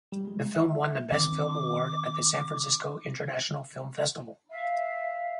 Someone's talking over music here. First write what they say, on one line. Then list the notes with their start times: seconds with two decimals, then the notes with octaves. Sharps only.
The film won the Best Film Award at the San Francisco International Film Festival.
0.12 G3
0.27 G#3
0.55 E5
1.12 D#3 C4 D6
4.50 E5 F5